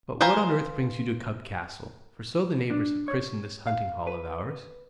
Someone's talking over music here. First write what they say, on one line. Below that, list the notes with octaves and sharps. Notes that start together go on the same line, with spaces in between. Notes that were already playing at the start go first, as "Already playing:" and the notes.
But what on earth brings you to Cub-Castle?--for so the neighbours have christened this hunting-hall of ours.
B4 C5 F5 G#5 A#5
D4
C#5
F5
B4